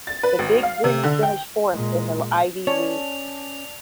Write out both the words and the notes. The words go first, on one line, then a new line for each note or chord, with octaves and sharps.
The Big Green finished fourth in the Ivy League.
A6
B4
G#1
F5
C3
D3
G5
A#2 G#3
C#4 C#5 D5 A5 F7